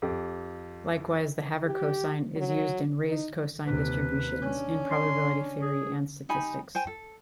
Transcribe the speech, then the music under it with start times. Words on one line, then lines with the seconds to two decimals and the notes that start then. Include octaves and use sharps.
Likewise, the havercosine is used in raised-cosine distributions in probability theory and statistics.
0.02 F2 G4
1.66 G4
2.36 F#3
3.09 D#4
3.67 D#2 C3 B4
4.42 C#4 D4
4.91 C6
5.62 G#4
6.29 D#4 G4 G#5 B5
6.75 C5 G5 G#5
6.87 A4